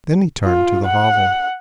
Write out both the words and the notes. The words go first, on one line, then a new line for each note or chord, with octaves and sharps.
Then he turned to the hovel.
F4
F#5